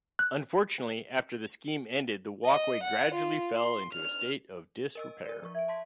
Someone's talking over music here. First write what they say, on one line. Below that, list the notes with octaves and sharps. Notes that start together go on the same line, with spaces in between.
Unfortunately, after the scheme ended the walkway gradually fell into a state of disrepair.
F#6
D#5
F#5
F4
C6
F6
A#4 D#5 E6
A#4 D5
F3 A#4 C#6
E5 G#6 D7
A5 C6 B6